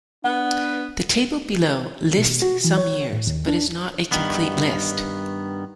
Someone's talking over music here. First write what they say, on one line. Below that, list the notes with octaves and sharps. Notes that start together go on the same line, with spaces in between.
The table below lists some years, but is not a complete list.
B3 D4 F#5
B2
F#4
E3
C#5
A2
D#2
D4
G2 D#3 B3